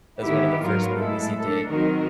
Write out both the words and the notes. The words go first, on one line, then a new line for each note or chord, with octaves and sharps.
was one of the first movies he did
D3 D#3 B3 D#4 E4 G4
G#2 F#3 B3 F4 A#4
A2 G#3 E4 A4
D4 A4
D#3 F#3 C4 D#4 F#4 A#4